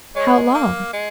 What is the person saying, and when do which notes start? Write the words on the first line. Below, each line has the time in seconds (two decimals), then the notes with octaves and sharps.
"How long?"
0.16 G#3 C#5
0.54 A#3
0.93 G#3